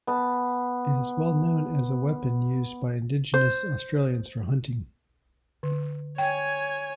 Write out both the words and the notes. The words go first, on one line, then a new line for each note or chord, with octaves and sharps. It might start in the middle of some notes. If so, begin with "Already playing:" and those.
It is well known as a weapon used by Indigenous Australians for hunting.
B3 A5
C5
D3
C#5 G5 G#5